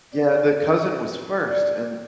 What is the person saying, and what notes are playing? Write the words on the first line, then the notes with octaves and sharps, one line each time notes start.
Yeah, the cousin was first and
D5 G5
C5 E5
D3 A3 G4 C5
E4 A4
D3 G3 A3 D4
A3
C4